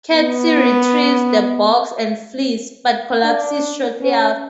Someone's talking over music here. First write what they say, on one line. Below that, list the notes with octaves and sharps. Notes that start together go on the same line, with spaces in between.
Kirsty retrieves the box and flees, but collapses shortly thereafter.
B3
D4
C#4